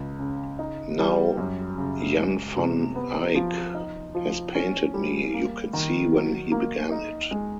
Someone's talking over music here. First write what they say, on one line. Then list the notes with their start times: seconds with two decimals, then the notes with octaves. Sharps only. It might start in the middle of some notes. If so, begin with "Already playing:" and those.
Now Jan van Eyck has painted me, you can see when he began it.
Already playing: C#2
0.19 C#3
0.59 D#4
0.99 G3
1.37 F#2
1.77 C#3
2.17 G#3
2.56 C3
2.96 B3
3.35 F3
3.75 D#4
4.15 F3
4.55 C#4
4.94 G3
5.34 A#3
5.73 D#3
6.13 F#3
6.52 A#3
6.92 D#4
7.31 G#3